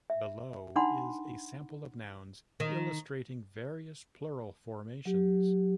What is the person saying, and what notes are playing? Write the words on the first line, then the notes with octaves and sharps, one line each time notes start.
Below is a sample of nouns, illustrating various plural formations.
E5
D4 D#4 F#5 B5 C6
D#3
F#3 G4